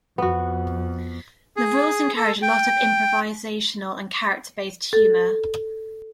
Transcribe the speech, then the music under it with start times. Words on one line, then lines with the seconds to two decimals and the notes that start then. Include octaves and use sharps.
The rules encourage a lot of improvisational and character-based humor.
0.18 F2 B3 F#4
1.57 G#4
2.16 A4
2.42 G5
4.93 A4